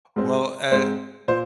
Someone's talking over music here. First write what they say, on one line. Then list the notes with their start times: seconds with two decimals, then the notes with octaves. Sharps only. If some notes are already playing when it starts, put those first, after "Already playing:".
Well, a
0.16 G#2 G#3 C4
0.71 G#2 G#3 C4 C5
1.28 A#2 C5